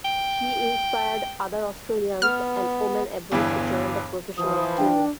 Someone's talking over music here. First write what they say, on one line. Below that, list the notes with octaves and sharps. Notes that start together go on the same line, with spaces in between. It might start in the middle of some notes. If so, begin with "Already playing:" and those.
She inspired other Australians and women abroad to join the professional tour.
G5
B3 F6
G1 E2 G2 E3
E3 F3 D#6
D4 G5